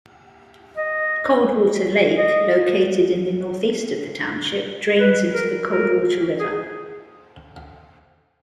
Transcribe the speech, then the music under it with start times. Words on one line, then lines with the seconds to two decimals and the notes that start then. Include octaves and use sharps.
Coldwater Lake, located in the northeast of the township, drains into the Coldwater River.
0.77 D#5
2.18 D#5
5.00 B4
5.34 A#4
5.70 A#4
6.40 G#4